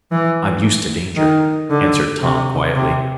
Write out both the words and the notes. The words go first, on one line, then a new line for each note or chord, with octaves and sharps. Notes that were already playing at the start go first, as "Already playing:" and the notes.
"I'm used to danger," answered Tom, quietly.
E3
D#3
D3
C3
C3